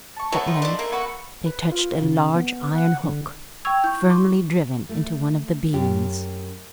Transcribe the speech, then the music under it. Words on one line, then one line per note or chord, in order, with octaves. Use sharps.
At length, they touched a large iron hook, firmly driven into one of the beams.
A5 C#6
F#3 A3 B3
D#4 F4 B5
A3 D4
A3 A#3
F#4 B4 F#5
B4
F4
C#3
B3
F#5
D3
G5 C#6 E6 G#6 F7
E4 C#6 G6
C6 D6
A3
F#2 G4